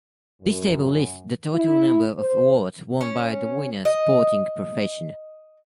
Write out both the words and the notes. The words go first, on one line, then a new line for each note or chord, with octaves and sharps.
This table lists the total number of awards won by the winners sporting profession.
F#2
E4
C5
C#4
D#5